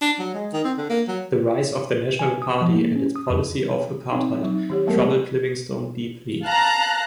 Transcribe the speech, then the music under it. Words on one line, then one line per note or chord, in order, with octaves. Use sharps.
The rise of the National Party and its policy of Apartheid troubled Livingstone deeply.
D4
F#3
G#3
D#3
C4
D3
A#3
F#3
G#5
D#6
F3
A#3
C#4
D#6
F2
C4 D#4
F#3 D#4
D#3 G4 C#5
F#3 G#3 A3 B3 A4 A#4
F5 A5 A#5 F#6